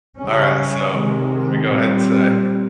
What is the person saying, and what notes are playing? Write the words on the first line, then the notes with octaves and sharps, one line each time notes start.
Alright, so, let me go ahead and say
C#3 G3 C#4
C3 D#3 G#3
A#2 G3 C4